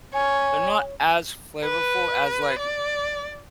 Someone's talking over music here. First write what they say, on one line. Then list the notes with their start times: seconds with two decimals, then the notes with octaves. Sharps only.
they're not as flavorful as, like,
0.14 C#5 G#5
1.64 B4
2.59 D5